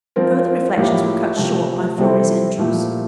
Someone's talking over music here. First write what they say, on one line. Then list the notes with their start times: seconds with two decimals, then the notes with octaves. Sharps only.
Further reflections were cut short by Florrie's entrance.
0.16 F3 C4 F4 A#4
0.77 A2 F3 A#3 E4 G4
1.37 C3 F3 A3
1.97 C3 G3 C4 E4 A4
2.58 A#2 F3 A3 E4 G4